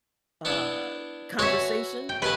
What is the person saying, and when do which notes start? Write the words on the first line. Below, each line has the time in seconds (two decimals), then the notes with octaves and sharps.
uh, conversation,
0.45 B3 D4 E4
1.39 F#4 B4 C#5 E5 G#5
2.09 G5
2.22 D#2 B4 G#5 A5